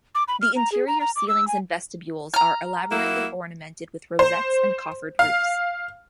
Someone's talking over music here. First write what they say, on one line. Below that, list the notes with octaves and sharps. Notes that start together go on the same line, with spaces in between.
The interior ceilings and vestibules are elaborately ornamented with rosettes and coffered roofs.
D6
B5
F6
A#5
G#4
A#5
A#5
D6
E6
G#5
A#5 F6
F#3 A#3 E4
C5
F5